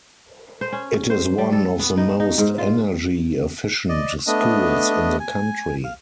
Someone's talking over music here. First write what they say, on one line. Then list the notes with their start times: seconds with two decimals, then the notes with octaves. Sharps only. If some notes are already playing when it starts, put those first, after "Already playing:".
It is one of the most energy efficient schools in the country.
0.61 C5
0.73 C#4
1.10 C5
1.38 G3
1.53 A4
1.79 B3
1.97 D#4
2.20 D#4
2.38 G#2
2.58 F4
3.89 D5 D#5
4.27 A3 B3 D4 D#5
5.20 G#5
5.84 F5